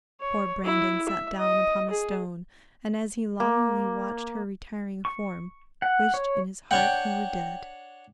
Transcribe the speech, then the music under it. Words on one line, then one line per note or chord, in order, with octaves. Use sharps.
Poor Brandon sat down upon a stone, and, as he longingly watched her retiring form, wished in his heart he were dead.
C#5
E4
E5
D#5
G#4
A#3
C#6
F#5
C#5
D4 C#5 F#5 G5